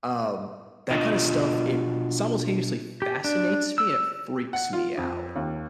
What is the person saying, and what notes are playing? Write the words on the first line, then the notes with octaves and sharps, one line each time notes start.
Um, that kinda stuff it simultaneously fascinates me, it freaks me out.
B2 D4 F4 D#5
G4
D4
E6
F#5
F4
F2
D#2